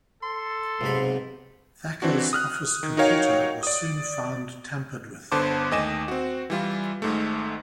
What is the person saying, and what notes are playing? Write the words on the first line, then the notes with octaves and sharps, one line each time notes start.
Thakur's office computer was soon found tampered with.
A4 C6
B1 G#2 C3 B5
E3 C4 D4 F#4
D#6 F6 F#6
D#3
D#4 F#4 A#4 C#5 F5 G5
D5 D#6
G1 D3 B3 C5 A5 D6
D#2 A3 D#5 G#5 D6 E7
C4 F#4
E3 G3 F4
G#1 G#2 A3